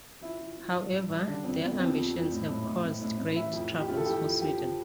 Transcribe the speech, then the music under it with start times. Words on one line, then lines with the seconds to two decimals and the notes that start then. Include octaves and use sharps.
However, their ambitions had caused great troubles for Sweden.
0.21 F3 E4
0.39 F3
0.57 F3
0.74 G2
0.92 G2
1.09 G2
1.27 D3 D4
1.44 F2 C4
1.61 F2 B3
1.79 F3 C4
1.97 F2
2.14 F2
2.32 A2
2.49 A2
2.66 A2
2.84 A2
3.02 A2
3.18 A2
3.36 E3 E4
3.53 F2
3.71 F2
3.80 G4
3.88 E3 F4
3.97 A4
4.06 E3 G4
4.24 F2
4.41 F3 G4
4.58 F3